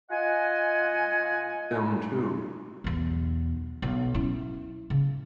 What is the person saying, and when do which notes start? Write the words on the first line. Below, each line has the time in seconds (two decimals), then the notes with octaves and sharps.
We invited them to.
0.10 F4 D#5 F#5 G#5
2.84 B1 E2
3.82 B1
4.14 C#4 E4
4.90 C#3